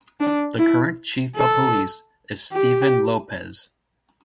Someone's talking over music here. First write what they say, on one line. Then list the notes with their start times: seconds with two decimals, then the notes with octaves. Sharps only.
The current chief of police is Stephen Lopez.
0.20 D4
0.59 E4
1.36 A4
2.52 G4